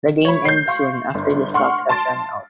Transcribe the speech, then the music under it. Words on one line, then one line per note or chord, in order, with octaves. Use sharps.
The game ends soon after the stock has run out.
C#5 B5
G6 C7
F5 C6 C#6
G1
F#5 C6 C#6 F6
A5 C6 A6 D7